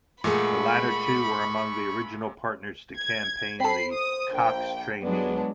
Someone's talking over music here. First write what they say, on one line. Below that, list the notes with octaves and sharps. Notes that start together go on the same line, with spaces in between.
The latter two were among the original partners to campaign the Cox trainee.
A#2 G#3 A3 G#4 F#5 B5 C#6
G#6
C4 A4 C5 B5 C7
D#6
A#1 G5
F#3 G#3 B3 D4